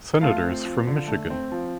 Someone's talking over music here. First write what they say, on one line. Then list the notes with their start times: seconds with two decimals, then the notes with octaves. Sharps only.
Senators from Michigan.
0.21 A3 F4 F5
0.44 C4
0.65 F3
0.87 D3
1.08 A3
1.30 C4
1.52 F3